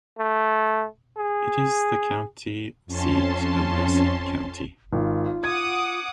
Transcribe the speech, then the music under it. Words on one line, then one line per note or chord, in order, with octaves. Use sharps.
It is the county seat of Wilson County.
A3
G#4
F2 C#4 A5 C6
G#1 F4
F#5 D6 D#6 G#6